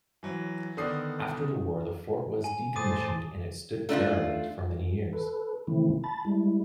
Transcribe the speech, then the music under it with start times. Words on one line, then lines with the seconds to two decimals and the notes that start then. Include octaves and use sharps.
After the war, the fort was decommissioned and it stood derelict for many years.
0.23 E3 F#3
0.77 D3 D#3 B3 D5 D#6 C7
2.44 G#5
2.76 A2 C5 A5 D6 D#6 D#7
3.89 A3 D4 E4 F4
5.13 A4 B4
5.67 C3 D#3 E3 A3 C4 E4
6.04 A5 B5 A6
6.25 G3 G#3 E4